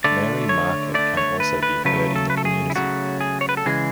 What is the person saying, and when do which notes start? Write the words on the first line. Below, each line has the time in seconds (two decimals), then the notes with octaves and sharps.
Marie market can also be heard in the community.
0.04 D3 A3 D5
0.49 C#5
0.94 D3 A3 D5
1.17 C#5
1.40 B4
1.63 B4
1.85 C#3 F#3 A3 B4
2.16 A4
2.30 B4
2.37 A4
2.45 G#4
2.70 E4
2.75 C#3 F#3 A3 F#4
3.21 G#4
3.41 C#5
3.49 B4
3.57 A4
3.66 C#3 E3 G#3 G#4